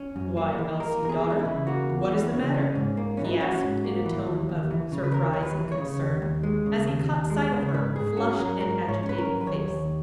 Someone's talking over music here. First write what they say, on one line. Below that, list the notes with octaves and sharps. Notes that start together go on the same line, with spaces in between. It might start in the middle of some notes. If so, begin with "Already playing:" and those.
"Why, Elsie, daughter, what is the matter?" he asked in a tone of surprise and concern, as he caught sight of her flushed and agitated face.
Already playing: C#4
F#2
A#3
E3
A#3 A#4
E2 A#4
G#4
E3
D#4
E4
C#3
A#3 F#4
E2
E3
C#3
C#4
G#2
A#3
E3 C#4
D#4
E4
C#4 F#4
G#2
A#3
E3
D#2
D#2
E3
C#3
B4
D#2 A#4
D#2 C#5
B4
E3
C#5
C#3
D#2
D#2
G#3
C#3
D#2
D#2
G#3
C#3
C#5
G#2 B4
G#2 G#4
C#4 F#4
G#4
F#3 A#4
G#2 A#4
G#2
C#5
C#4
B4
A#4
F#3
B4
D#2 C#5
D#2